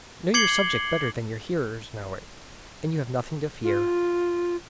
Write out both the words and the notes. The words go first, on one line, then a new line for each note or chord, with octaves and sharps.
Know your subject better than your hearers know it, and you have nothing to fear.
D6 G#6 C7 C#7 F#7 G7
F4